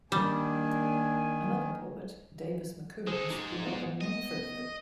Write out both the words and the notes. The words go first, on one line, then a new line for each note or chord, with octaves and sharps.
Another poet, Davis McCombs, grew up in Munfordville.
D#3 G3 A#3 D4 G#5
G#3 G#4 A4 C5 G#5
G#2 G#3 D#4 G4
B3
D#5